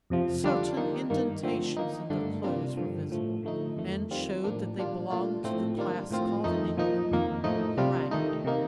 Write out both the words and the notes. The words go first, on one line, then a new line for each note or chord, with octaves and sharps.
Certain indentations in their clothes were visible, and showed that they belonged to the class called in England the ragged.
F2 C3 F3
D3 G3 D4 F4
D#3 A#3 D#4
G2 D#3 A#3
D3 F3 A3 C4
D#3 A#3 D#4
G2 D3 A3 D4
C3 G3 A#3 D4 F4
G2 D3 F3
A2 F3 A3
D3 F3 A3 D#4
F2 D#3 A3
D#3 G3 C4 F4
A2 F3 A#3 D4
A#2 G3 D4 F4
A#2 A3 D4 F4
A2 F3 A3 C4
D#3 G3 A#3 D4 F4
A2 F3 C4 F4
F2 D#3 A3 D#4
A#2 F3 A#3 D#4
F2 D#3 A#3
A2 F3 A3 D#4
C3 G3 D4 F4
D#3 A3 D#4
C3 D#3 A#3 D#4